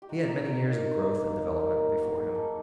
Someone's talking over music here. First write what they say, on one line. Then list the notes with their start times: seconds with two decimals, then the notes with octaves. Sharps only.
He had many years of growth and development before him.
0.02 G4
0.09 D#4 F#4
0.28 D#4
0.47 D#4
0.65 A#3
0.84 D#4
1.03 D#4
1.22 A#3
1.40 D#4
1.59 A#3 G4
1.78 A#3 F#4
1.97 A#3 F#4
2.15 D#4 G#4
2.35 A#3 A4